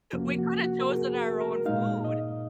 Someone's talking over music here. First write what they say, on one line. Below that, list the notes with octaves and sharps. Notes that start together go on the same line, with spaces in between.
We coulda chosen our own food,
F2 C3 F3 A#3 C#4 F#4
F#4
F#4
A#4
G#4
A#4
A#4
A#2 G#3 D#4 F5
D#5